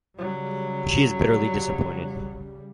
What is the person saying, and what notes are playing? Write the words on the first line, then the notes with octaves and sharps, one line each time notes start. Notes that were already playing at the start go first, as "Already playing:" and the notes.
She is bitterly disappointed.
C#3 F#3 G3